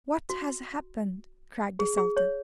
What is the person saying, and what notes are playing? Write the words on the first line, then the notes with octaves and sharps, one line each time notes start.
What has happened?' cried the Sultan.
F#4
G#4
G#4
C#5